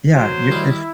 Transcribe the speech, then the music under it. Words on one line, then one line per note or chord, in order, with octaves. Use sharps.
Yeah, you ish
F#3 C5
D#3 G3 E4